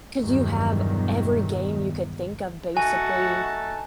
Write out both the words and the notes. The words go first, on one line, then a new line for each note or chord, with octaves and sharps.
'cause you have every game you could think of basically,
E2 G2 B2 D#3 F#3
A3 D#4 F#4 G#5 A5